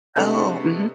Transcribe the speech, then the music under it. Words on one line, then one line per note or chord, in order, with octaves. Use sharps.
Oh, mhm.
C3 G#3 A3 B3 D4 A4